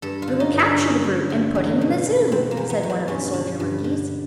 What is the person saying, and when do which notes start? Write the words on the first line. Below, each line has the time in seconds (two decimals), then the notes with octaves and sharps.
"We will capture the brute and put him in the Zoo," said one of the soldier-monkeys.
0.02 G2 A4
0.22 F4
0.27 D3
0.40 D#4
0.53 G2
0.59 D4
0.78 D3 C#4
1.04 G2
1.30 D3
1.55 E2
1.81 B2
2.06 E2
2.32 B2 C4
2.51 A#3
2.57 E2
2.70 B3
2.83 B2
2.90 C4
3.08 G2 C#4
3.33 D3
3.60 G2
3.84 D3